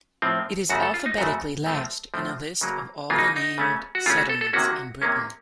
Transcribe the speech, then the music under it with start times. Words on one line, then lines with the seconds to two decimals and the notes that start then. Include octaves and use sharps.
It is alphabetically last in a list of all the named settlements in Britain.
0.22 A2 F3 C4
0.70 F#2 C#3 A3 F#4
0.83 A4
0.94 F4
1.06 D#4
1.18 F#2 C#3 A3 F#4
1.66 A2 F3 A3 C4
2.14 A2 F3 A3 C4
2.61 C#3 F#3 A#3
3.10 C#3 F#3 A#3 F4
3.19 D#4
3.36 D#4
3.58 C#3 A3 C#4
3.95 F#4
4.06 C#3 A3 C#4 F4
4.17 F#4
4.29 A4
4.41 A4
4.53 C3 D#3 A#3 C#4 F#4
5.02 C3 D#3 A#3 C#4